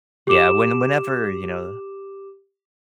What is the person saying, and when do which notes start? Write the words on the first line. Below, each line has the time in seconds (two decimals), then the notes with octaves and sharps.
Yeah, when whenever, you know
0.27 G4 D6 E7